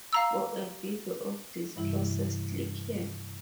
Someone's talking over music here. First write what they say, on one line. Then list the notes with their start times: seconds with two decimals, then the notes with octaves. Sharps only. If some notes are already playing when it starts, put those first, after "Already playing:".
For a video of this process click here.
0.13 F5 A#5 E6
1.76 G2 C3 E3 G3 E4